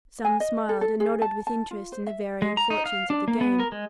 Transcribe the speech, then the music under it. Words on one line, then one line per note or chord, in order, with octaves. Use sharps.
Some smiled, and nodded with interest in the varying fortunes of the game.
G#5
D#5
A4
A4
G#4
A5
A5
F4
C5
E5
G#3
A#5
D#4
F5
D4
A#3
B3
A#4
G#3